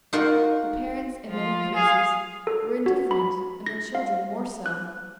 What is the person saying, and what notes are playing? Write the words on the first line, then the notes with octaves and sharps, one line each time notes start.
The parents, in many cases, were indifferent, and the children more so.
D#4 F4 F#4 A#4
F3 F4
G#4 F5
A4
F#4
B5
A#6
F5
F#6